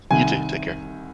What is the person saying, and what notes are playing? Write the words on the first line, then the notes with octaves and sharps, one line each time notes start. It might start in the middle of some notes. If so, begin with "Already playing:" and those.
You too, take care.
C2 C3 D#3 G#5